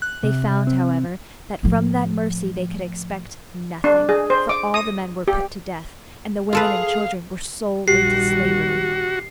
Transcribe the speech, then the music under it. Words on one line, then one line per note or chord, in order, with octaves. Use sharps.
They found, however, that from that mercy they could expect nothing, for all the men were put to death, and the women and children were sold into slavery.
F#6
C3
C3
C4
A2 F3
D4
G#4
C5
D6
D#6
G4
F4 G#4 A4 B4 F5
A#1 D#3 G3 F#4 G4 C7